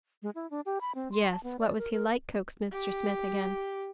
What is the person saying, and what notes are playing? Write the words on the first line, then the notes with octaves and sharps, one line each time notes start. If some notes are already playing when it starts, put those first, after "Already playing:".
"Yes, what was he like?" coaxed Mr. Smith again.
G#3
E4
D4
G4
B5
C4
C6
A5
B3
D5
A#4
A#4
G4